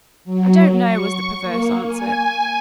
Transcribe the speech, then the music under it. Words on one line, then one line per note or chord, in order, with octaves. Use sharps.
"I don't know," was the perverse answer.
F#3
C#6
A#3
G#5